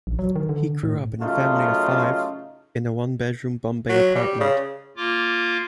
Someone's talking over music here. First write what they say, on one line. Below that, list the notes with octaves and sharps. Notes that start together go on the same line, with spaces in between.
He grew up in a family of five, in a one bedroom Bombay apartment.
A#1
F#3
D#3
D3
A2
F#2 A2 C#3 A3 D#4 F4
F#3
G3
C#3
A#3 F4 D6